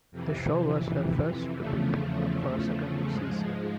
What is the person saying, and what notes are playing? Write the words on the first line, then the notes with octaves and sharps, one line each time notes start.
The show was her first to be picked up for a second season.
F2 C3 E3
E2 C#3 F3 A3
G#2 F3 G#3